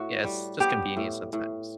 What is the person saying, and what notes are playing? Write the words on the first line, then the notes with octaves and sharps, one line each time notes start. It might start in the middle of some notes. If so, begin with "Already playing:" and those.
yeah, it's just convenient sometimes.
Already playing: A2 F#4
G3
B3 G4
A2
A2